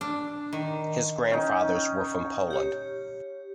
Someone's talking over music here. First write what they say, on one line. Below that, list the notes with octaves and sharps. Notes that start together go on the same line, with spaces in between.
His grandfathers were from Poland.
D4
D#3
C#4 D#4 G5
G4 C#5